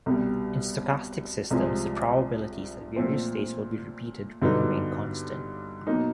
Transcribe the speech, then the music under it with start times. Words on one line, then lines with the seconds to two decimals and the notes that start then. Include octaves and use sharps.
In stochastic systems, the probabilities that various states will be repeated will remain constant.
0.06 C2 B2 G3
1.51 C2 C3 F3 G#3
2.96 A#2 F3 A3 C4
4.42 G2 D3 F#3 B3 D#4
5.87 B2 F#3 A#3 D#4